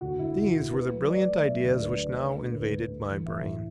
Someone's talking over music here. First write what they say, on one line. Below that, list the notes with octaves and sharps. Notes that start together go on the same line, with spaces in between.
These were the brilliant ideas which now invaded my brain.
D2 F#4
D2 E4
D2 F#4
D2
A3 B4
F#3
F#3 D5
A3
F#3 E5
D2
D5
D2 B4
A3
D3
A3
D2 B4
D2
A3
E3
A2 E5
A2